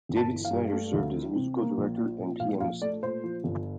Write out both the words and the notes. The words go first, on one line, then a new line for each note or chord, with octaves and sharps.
David Snyder served as musical director and pianist.
G1
A5
E3
F5
G2
A3
D2
E3
C3
A#3
A#1
F3
A#2
A#1 F5
A#1 F5
A3 D5
A#2 C5
F3
G1